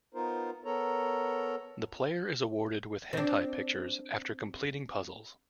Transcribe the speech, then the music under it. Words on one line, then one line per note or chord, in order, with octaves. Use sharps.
The player is awarded with hentai pictures after completing puzzles.
B3 D#4 F4 A#4 C5
B3 A4 A#4 C#5 A#5
C4 D4